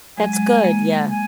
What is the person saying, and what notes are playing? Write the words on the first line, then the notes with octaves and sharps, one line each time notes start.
That's good. Yeah.
F#3 G#3 G#5
F#3 G#3
G#3 A#3
G#5